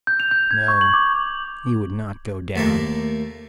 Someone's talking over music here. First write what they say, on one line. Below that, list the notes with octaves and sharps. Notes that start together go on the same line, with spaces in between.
No, he would not go down.
G6
F7
G6
G#6
C#6
F#7
D6
D#2 A3 A#3